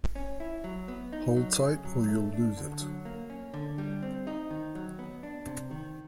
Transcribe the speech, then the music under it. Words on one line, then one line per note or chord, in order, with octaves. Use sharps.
Hold tight, or you'll lose it!
C#4
E4
F#3
B3
D#4
F#3
C#3
F#3
A3
D4
D3
F#3
A#3
C#4
D3
G3
C4
D#4
D#3
F#3
B3
D4
C3
D#3